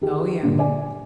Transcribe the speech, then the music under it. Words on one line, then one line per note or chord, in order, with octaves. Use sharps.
Oh, yeah.
D#3 G4 G#4
G2 A#2 D3
D5 G#5